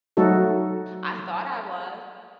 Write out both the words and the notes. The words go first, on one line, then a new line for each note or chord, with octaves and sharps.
I thought I was.
F#3 A3 D#4 F#4 A4